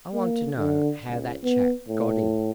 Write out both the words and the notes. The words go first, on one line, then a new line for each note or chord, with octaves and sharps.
I want to know how that chap got in.
A#3
D3
C#2
B3
A2